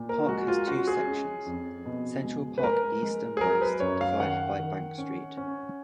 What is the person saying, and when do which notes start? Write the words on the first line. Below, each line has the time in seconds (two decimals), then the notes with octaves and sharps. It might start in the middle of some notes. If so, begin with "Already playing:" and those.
The park has two sections, Central Park East and West divided by Bank Street.
Already playing: A#2
0.09 A#4
0.29 G#3 F#4
0.48 F4
0.68 C#4 F#4
0.87 G#4
1.07 C#4
1.46 F2
1.85 B2
2.24 G#3
2.58 B4
2.63 G#3 A#4
3.03 G#3
3.37 G#4
3.41 F#3 A#4
3.62 B4
3.80 F#2 C#5
4.01 F5
4.20 D#3 F#5
4.59 D#3
4.98 C#4
5.37 C#4